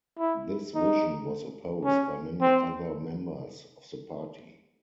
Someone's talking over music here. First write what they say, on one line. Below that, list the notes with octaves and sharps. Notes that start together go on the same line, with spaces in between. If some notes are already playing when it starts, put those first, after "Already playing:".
This vision was opposed by many other members of the party.
E4
D#4
C#4
C4